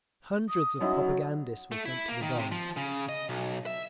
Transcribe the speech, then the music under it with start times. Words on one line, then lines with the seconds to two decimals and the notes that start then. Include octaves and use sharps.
Hundreds of propagandists were sent to the Don.
0.49 D#6
0.81 F#2 F#3 D#4 E4
1.72 A3
1.86 E4
2.08 A#3
2.22 D#3
2.39 C3
2.52 F3
2.77 C#3
3.09 D#5
3.29 B1
3.66 E5